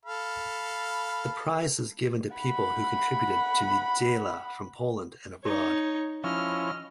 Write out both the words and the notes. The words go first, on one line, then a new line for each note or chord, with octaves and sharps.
The prize is given to people who contributed to "Niedziela" from Poland and abroad.
A4 F5 B5
F#5 B5
D#4 C#5
F3 C#4 E4 D#5 F6